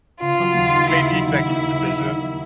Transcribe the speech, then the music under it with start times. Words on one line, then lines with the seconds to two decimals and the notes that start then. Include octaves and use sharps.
Okay. You made the executive decision?
0.21 C#3 F4
0.39 F#3
0.57 D#2
0.75 A#3
0.92 C#3 E4
1.11 F#3
1.29 D#2
1.46 A#3
1.65 C#3
1.82 F#3
2.00 D#2
2.19 A#3